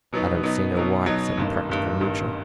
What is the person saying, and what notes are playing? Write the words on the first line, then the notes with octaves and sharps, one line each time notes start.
"I don't see no wipe," said the practical Moocher.
B2 F#3 B3 D#4
B2 F#3 B3 D#4
B2 F#3 B3 D#4
B2 F#3 B3 D#4
A1 G2 D#3
A1 G2 D#3
A1 G2 D#3